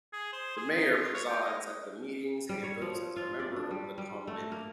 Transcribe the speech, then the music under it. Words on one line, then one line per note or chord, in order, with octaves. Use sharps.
The Mayor presides at the meetings and votes as a member of the Committee.
G#4
C5
G#4
D#4
F4
C#5
G5
D#5
G3
C#5
F3
F4
D5
D4
G3
G3
A3
A#3